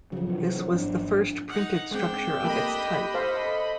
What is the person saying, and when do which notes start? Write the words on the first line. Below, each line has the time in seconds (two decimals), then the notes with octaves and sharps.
This was the first printed structure of its type.
0.12 C#3 F3 F#3
0.27 C3 E3
0.72 G#1 D4
1.49 D#4 F#5
1.91 G#3 C4 D4 G5
2.44 A#3 G4 A4 D#5 B5
3.14 A4 C5 F5